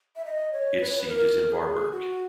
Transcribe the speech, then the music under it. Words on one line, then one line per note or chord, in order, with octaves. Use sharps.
Its seat is in Varberg.
E5
D#5
C#5
B4
C#5
B4
A#4
G#4
F#4